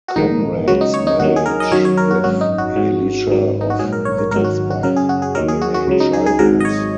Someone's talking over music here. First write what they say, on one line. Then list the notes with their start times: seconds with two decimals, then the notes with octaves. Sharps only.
Conrad's marriage with Hellicha of Wittelsbach remained childless.
0.08 F#4
0.16 A#1 G#2 D#3 D#4
0.68 C#2 C#3 F#3 F#4
0.81 D#4
0.94 C#5
1.07 D#4
1.20 D#2 D#3 F#3 F#4
1.36 G#4
1.46 A#4
1.60 D#5
1.72 F#2 D#3 F#3 C#5
1.85 C#5
1.97 A#4
2.11 F#4
2.24 G#1 F#2 F#3 F#4
2.41 D#4
2.58 F#4
2.76 G#1 G#2 F#3
3.27 G#1 G#2 F#3
3.61 D#4
3.70 F#4
3.79 A#1 G#2 F#3 G#4
3.92 A#4
4.05 C#5
4.18 A#4
4.31 G#1 G#2 D#3 F#3 A#4
4.44 F#4
4.70 F#4
4.83 F#2 C#3 F#3 A#4
4.96 G#4
5.09 F#4
5.22 G#4
5.35 D#2 D#3 F#3 A#4
5.48 G#4
5.61 F#4
5.74 F#4
5.87 C#2 C#3 F#3
6.00 D#4
6.13 G#4
6.26 G#4
6.39 G#1 G#2 F#3 A#4
6.60 D#5
6.65 C#5